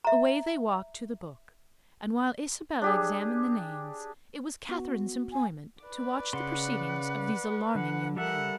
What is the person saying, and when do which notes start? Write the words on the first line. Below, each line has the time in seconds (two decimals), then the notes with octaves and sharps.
Away they walked to the book; and while Isabella examined the names, it was Catherine's employment to watch the proceedings of these alarming young men.
0.05 E5 A#5
2.82 D4 G4 G#4
4.69 B3 F#4
5.33 G#5
5.84 B4 D5
6.33 C#3 F#5 C6
7.75 D3 F#5
8.16 G3 A4 A#4 E5 F#5